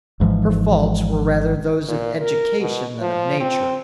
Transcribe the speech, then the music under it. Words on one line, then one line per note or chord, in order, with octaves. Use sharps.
Her faults were rather those of education than of nature.
G#1 G#2 E3 F3
A#2
A#4
B2
F3
C4